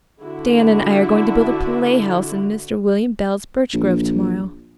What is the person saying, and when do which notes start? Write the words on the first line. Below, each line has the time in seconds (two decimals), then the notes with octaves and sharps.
Diana and I are going to build a playhouse in Mr. William Bell's birch grove tomorrow.
0.22 D3 E4 F#4
3.74 A#1